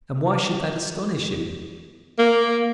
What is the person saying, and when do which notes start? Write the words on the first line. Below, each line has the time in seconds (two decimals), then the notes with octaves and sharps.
And why should that astonish you?
2.19 A#3